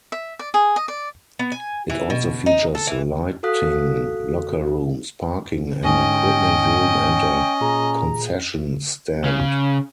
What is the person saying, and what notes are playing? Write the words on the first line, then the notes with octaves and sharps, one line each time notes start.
It also features lighting, locker rooms, parking, an equipment room and a concession stand.
E5
D5
G#4
D#5
D5
B3
G#5
E3
B2
D#4
A4
E3
F#4 A4 F5 D#6 F#6 B6
G#2 D3 C#4 D#5 G5
A#2 G#4 A#5
C#3